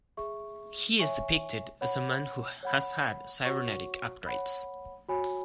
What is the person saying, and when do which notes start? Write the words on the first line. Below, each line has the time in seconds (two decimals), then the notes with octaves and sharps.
He is depicted as a man who has had cybernetic upgrades.
0.17 G#4 E5 C#6
0.99 C#5 E5 G#5 C#6
1.81 C#5 F#5 B5
2.63 C#5 F#5 B5
3.45 F#4 C#5 F#5 C#6
4.27 C#5 F#5 B5
5.09 F#4 C#5 G#5 B5